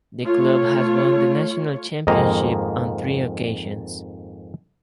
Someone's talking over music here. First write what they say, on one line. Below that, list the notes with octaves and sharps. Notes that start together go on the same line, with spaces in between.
The club has won the national championship on three occasions.
A3 F4 C#5
F2 G#2 D#3 A#3 D#5 A#5